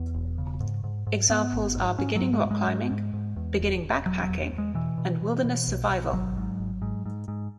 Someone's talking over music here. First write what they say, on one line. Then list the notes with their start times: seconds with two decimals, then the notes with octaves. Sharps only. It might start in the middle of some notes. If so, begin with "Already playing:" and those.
Examples are Beginning Rock Climbing, Beginning Backpacking, and Wilderness Survival.
Already playing: E2 B3
0.14 E1
0.38 C#3
0.60 G#2
0.84 G#2
1.07 G#2
1.30 G#2 B3
1.53 G#1
1.77 G#2
1.99 G#2 C#4
2.16 F#3
2.22 G#2
2.33 G#3
2.45 G#2
2.51 G#3
2.68 G#2
2.91 G#2
3.13 G#2
3.36 E2
3.60 E1
3.83 E1
4.06 E1 F#3
4.23 F#3
4.29 E2
4.52 E2
4.58 G#3
4.74 B2 E3
4.98 B2
5.21 B2
5.44 B2
5.68 B1
5.90 B1
6.13 G#1 F#3
6.36 G#2
6.59 G#1
6.82 G#2
7.06 G#2
7.28 G#2